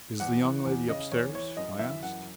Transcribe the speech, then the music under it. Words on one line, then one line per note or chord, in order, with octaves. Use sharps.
"Is the young lady upstairs?" I asked.
E2 F#5
E3
E2
C#3 D#5
E2 C#5
E3 C#5
F#2 D#5
E3 E5
F#2 F#5